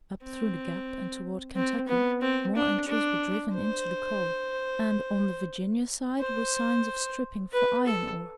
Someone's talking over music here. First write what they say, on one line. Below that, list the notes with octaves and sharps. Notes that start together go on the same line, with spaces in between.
Up through the Gap and toward Kentucky, more entries were driven into the coal, and on the Virginia side were signs of stripping for iron ore.
C4
C4
B3
C4
D4
D4
C5
C5
B4
A4